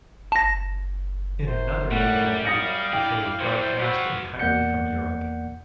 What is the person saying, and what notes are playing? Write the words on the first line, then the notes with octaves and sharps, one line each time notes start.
In another major tweak, the show is broadcast entirely from Europe.
A5 A#6
F#2 C5
A2 G3 F#5
F5 D#6 A#6 C#7
G2 E4 D5 G5
F#3 G3 C5
F#4 B4 F5 E6
E2 A#3 D5 F#5 G6 C#7